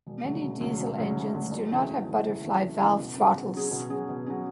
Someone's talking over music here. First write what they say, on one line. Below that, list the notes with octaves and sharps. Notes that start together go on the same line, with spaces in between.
Many diesel engines do not have butterfly valve throttles.
E1
D2 C#3 F#3
E1
D2 C#3 F#3
E1
D2 C#3 F#3
E1
D2 C#3 F#3
F#1
E2 C#3 E3 A3
F#1
E2 C#3 E3 A3
F#1
E2 C#3 E3 A3
F#1
E2 C#3 E3 A3
B2
F#3 C#4 G#4
B2
F#3 C#4 G#4
B2
F#3 C#4 G#4
B2
F#3 C#4 G#4